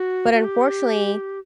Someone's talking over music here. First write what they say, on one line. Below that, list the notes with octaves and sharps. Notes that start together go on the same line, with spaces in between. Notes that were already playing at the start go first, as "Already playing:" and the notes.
But unfortunately,
Already playing: F#4
F#4
G4